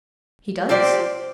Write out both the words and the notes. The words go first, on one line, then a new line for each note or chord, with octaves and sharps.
"He does?"
F3 C4 G4 D5